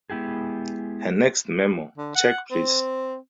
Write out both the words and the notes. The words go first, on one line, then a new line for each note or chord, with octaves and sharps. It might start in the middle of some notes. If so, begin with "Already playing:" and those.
Her next memoir, Check Please!
G#3 B3 E4 G4 G#4
D3
F#5
C4